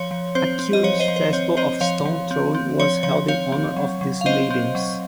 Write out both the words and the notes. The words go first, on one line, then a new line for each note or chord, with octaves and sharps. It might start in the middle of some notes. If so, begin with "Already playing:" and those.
A curious festival of stone-throwing was held in honor of these maidens.
Already playing: F3 C#5
F3
C4 C5
C4
D#5
F3 C#5
C5 D#5
F3
C5
C4 C#5
C4 C5 D#5
F3 C#5 F5
F3
C4
C4
F3 C#5
F3 C#5
C4 C#5 F5
C4
F#3
F#3
F5
C4 C5 D#5
C4
F#3